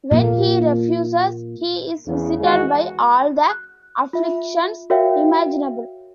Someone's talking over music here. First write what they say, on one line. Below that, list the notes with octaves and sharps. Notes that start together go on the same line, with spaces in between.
When he refuses, he is visited by all the afflictions imaginable.
A#2 A#3
E2 C#3
D#2 E3 G#3 D#4 F#4 G#4
F#6
F4 E5
F#4 A#4 C#5 E5 F5 G5